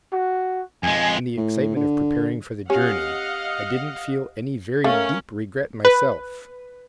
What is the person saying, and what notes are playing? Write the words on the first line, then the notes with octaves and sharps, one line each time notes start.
In the excitement of preparing for the journey I didn't feel any very deep regret myself.
F#4
F2 G#3 G#5
A2
D3
C#4 G4 D#5 F5 F#5
A3 C#4 A#4 F5
B4